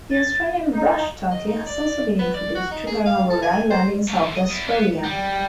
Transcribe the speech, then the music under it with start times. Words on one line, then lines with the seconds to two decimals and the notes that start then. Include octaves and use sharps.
The Australian brushturkey has also been introduced to Kangaroo Island in South Australia.
0.11 A6
0.72 D#4
1.31 D#5
1.47 D#4
1.67 D5
2.19 B3
2.34 D5
2.55 F#4
2.71 D#4
2.87 G#4
3.06 F5
3.30 A4
3.43 G#5
3.71 C5
4.08 A3 A#3
4.21 A3 C4
4.35 D#5
4.49 E2
4.68 B3
5.04 G3